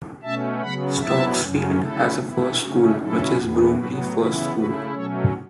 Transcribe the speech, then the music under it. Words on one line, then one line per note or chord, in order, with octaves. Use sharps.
Stocksfield has a first school, which is Broomley First School.
B2 A3 C#4 E5 A5
C#3 F#3 B3 F#5 B5
B2 F#3 B3 E4 E5 A5
F#2 C#3 F#3 C#4
C#3 A3 E4 A4
B2 B3 E4
C#3 A3 C#4 F#4
B2 F#3 C#4 E4 A4
E2 E3 B3
A2 F#3 B3 F#4 B4
C#3 E3 B3 E4 F#4 B4
C#3 A3 E4 F#4 B4
B2 F#3 A3 C#4 A4 C#5